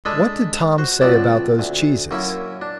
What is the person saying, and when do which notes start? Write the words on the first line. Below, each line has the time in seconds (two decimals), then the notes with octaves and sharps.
"What did Tom say about those cheeses?"
0.05 G#3 D4 A4 B5 D#6
0.78 F#4 C5
1.01 C#2 B3 C4 D5 A5
1.59 D2
2.11 F#2 A#3 C#4 E4
2.61 D4